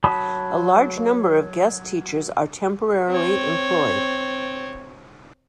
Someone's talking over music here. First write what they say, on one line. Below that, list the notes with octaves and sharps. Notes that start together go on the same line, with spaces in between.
A large number of guest teachers are temporarily employed.
F#3 A5 B5 D#6
C4 C#5